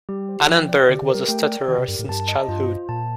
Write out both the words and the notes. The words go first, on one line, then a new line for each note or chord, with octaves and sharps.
Annenberg was a stutterer since childhood.
G3 G4
C5
F3 G5
D5
D3 G4
D3
A#4
G3
A3 G5
D5
D#3 G4
C3
G2 A#4
A2
G2 A5
D#5
G2 F4
C5
A#2 A5